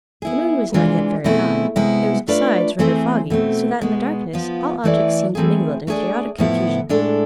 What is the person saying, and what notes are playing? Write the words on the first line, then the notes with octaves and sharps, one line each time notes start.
The moon was not yet very high; it was besides rather foggy, so that in the darkness all objects seemed mingled in chaotic confusion.
B3 E4 G#4
C3 E3 G#3 D4 F4
B2 A3 C4 E4 G#4
C3 G#3 B3 E4
A3 D4 F4 B4 D5
E3 A3 C4 G#4 C5
B2 A3 C4
B2 G#3 B3
F3 B3 F4
E3 A3 E4 B4 D5
E3 A3 C4 G#4
A3 D4 G#4 D5
A2 F3 B3 E4
A2 G#3 D4 A4